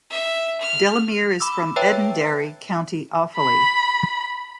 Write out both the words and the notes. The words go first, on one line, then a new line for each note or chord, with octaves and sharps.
Delamere is from Edenderry, County Offaly.
E5
F6
B5 D6 E6
B4 C#5 E5 G5 A5
B5